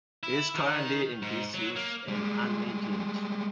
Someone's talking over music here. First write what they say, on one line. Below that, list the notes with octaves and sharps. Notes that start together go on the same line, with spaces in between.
It is currently in disuse and unmaintained.
E4
D#3
G#2
F#3
A#3
G3 G#3